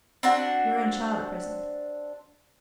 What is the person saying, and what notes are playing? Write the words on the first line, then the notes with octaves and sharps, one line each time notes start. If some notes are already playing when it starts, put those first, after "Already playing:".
"Your own child at present."
C4 D4 F#4